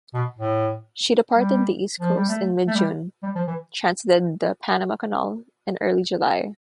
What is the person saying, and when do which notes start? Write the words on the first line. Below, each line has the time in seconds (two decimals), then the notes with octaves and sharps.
She departed the East Coast in mid-June; transited the Panama Canal in early July.
0.14 B2
0.38 A2
1.33 G3
2.00 F3
2.14 G3
2.29 A3
2.67 A3
2.75 G3
3.23 G3
3.35 F3
3.47 E3